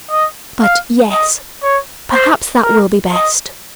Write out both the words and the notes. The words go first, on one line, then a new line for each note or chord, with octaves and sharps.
'But--yes! perhaps that will be best.'
D#5
F5
D#5
C#5
C5
A#4
D#5